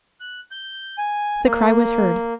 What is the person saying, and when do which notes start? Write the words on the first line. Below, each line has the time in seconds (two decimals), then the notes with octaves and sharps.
The cry was heard.
0.20 F#6
0.51 G6
0.98 G#5
1.45 A#3